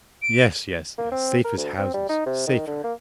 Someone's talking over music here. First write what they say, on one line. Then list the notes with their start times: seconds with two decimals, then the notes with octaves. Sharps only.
"Yes, yes, yes; safe as houses--safer."
0.22 D7
0.98 A#3
1.12 C4
1.45 A#4
1.57 D2
1.78 C4
1.94 G3
2.09 D#4
2.26 C3
2.47 D#3
2.67 D3
2.84 A#3